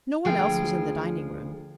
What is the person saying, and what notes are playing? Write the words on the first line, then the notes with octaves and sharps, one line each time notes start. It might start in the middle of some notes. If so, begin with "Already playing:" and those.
No one else was in the dining-room.
D2 F3 G#3 F4 G#4 G5